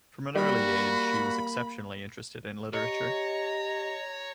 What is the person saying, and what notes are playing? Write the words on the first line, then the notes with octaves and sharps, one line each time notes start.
From an early age she was exceptionally interested in literature.
G3 A#3 F#4 B5
G4 C#5 D#5 A#5